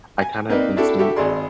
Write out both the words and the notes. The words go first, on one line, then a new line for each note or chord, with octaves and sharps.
I kinda have been seeing
G#5
A#3 C4 D#4 B4 D5
D4 E4 F#4 G4 A4
F#4 G4 A4 E5
G#1 G#4 D5 C6